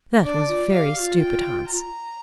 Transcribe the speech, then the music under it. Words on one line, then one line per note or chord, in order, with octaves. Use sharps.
'That was very stupid, Hans.
D4 D5
F4
G4 F5
G4
F4
G5
A#5